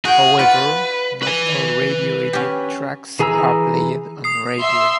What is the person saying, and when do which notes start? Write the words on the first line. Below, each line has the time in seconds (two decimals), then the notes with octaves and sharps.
However, not all "radio edit" tracks are played on radio.
0.05 F#4 G#4 G5
0.39 F4 B4 D5 F#5
1.22 B4 G#5
2.33 C#4 G4
3.19 E3 G#4 G#5 A#5 E6
4.24 D#6 C7
4.59 E5 C6